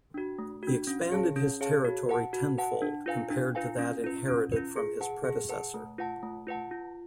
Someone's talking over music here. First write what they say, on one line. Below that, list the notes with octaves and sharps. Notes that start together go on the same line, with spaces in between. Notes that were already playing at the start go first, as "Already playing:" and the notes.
He expanded his territory tenfold compared to that inherited from his predecessor.
D4 F#4
A3
D4 F#4
C#4
G#4 C#5 F5 A5
C#4
G#4 C#5 F5 A5
F#4
B4 F#5 A5
F#4
B4 F#5 A5
D4
F4 B4 F5 G#5
D4
F4 B4 F5 G#5
C#4
F4 B4
C#4
F4 B4
G#4
B4 F#5 A5
G#4
B4 F#5 A5
A3
F4 B4 F#5 A5
A3
F4 B4 F#5 A5
F4